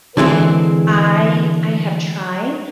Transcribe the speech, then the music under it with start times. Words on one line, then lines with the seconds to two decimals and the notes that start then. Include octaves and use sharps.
And I I have tried,
0.17 D3 E3 G#3 C4